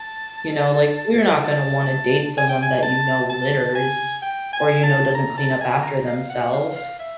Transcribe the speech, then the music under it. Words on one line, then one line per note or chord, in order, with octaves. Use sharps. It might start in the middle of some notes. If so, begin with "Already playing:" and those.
You know, like, you're not gonna wanna date someone that you know litters or, you know, doesn't clean up after themself
Already playing: A5
A5
G#5
G5
G#5
A5
A5
G#5
G5
G#5
A5
A#5
A5
G#5
A#5
F5
F#5
F5
F5
E5